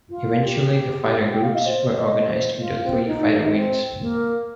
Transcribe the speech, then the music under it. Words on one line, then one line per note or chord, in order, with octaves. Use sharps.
Eventually the fighter groups were organized into three Fighter Wings.
F4
G4
G5
F5
D#5
C5
D#5
C5
F4
C4
D#4
D#4
C4
A#3